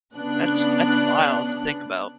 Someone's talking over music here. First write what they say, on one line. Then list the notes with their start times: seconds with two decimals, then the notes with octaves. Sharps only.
That's that's wild to think about.
0.15 C#3 B3 D4 F#6